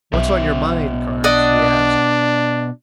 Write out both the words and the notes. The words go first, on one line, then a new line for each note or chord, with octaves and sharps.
"What's on your mind, Carnes?" he asked.
B1 B2 E5
D4 D5 D#5 F#5